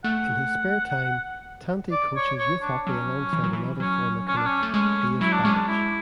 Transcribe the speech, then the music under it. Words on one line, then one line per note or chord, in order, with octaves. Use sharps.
In his spare time, Tanti coaches youth hockey alongside another former Canuck Dave Babych.
A3 F#5
D5
C#5
C#5
D4
F#3 C#4
E3
F#3
E3
F#3 C#4
C#4
D4
C#4
A3
G#3 C#4
F#3 E4
D4
G#3 C#4
D4
E4